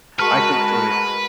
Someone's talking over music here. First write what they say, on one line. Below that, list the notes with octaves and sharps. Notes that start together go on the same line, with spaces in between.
I can tell y
G#3 F#4 A#4 B4 A5 C#6 F6